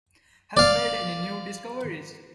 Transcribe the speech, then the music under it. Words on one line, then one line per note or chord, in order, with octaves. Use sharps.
Have you made any new discoveries?
D5 F5